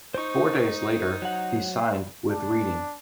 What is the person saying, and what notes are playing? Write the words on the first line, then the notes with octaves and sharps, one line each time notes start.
Four days later, he signed with Reading.
D#4 C5 C#6
F#3 F#5
D4